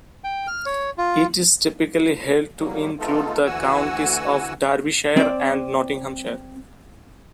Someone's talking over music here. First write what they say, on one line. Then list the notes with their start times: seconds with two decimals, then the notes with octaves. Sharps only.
It is typically held to include the counties of Derbyshire and Nottinghamshire.
0.24 G5
0.47 F6
0.66 C#5
0.98 F4
2.59 E2 G2 F#3 G3 A#3
2.99 G#3 A3 B3 D#4 F4 A4
3.46 D2 E3 F#4 F#5 G#5 E6
5.17 C4 D5